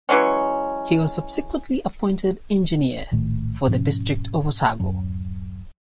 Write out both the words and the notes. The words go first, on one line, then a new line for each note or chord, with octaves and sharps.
He was subsequently appointed engineer for the District of Otago.
E3 F#3 G#3 C#4
A#1 A2 D#3 A3
G#2 B2 F3 C#4
D1 F#2 F#3